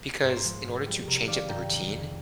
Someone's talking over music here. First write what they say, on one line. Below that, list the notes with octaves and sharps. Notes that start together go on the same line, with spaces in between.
Because in order to change up the routine,
G#2 A#4
C5
A#4
F3 G#3
G#2
G3
C3 A#4
D#3 G3 D5 F5
G2 G5 A#5
F3 G#3
F2